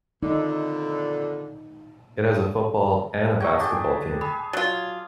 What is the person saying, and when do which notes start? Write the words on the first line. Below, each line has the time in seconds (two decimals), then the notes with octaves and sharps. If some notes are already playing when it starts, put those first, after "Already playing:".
It has a football and a basketball team.
0.23 F2 A#2 D3 D#4
3.41 F#4 F#5 G5 A#5 C#6 G#6
3.60 D4 G4 G#4
4.21 G#4 B5
4.53 F#3 F4 C#5 A6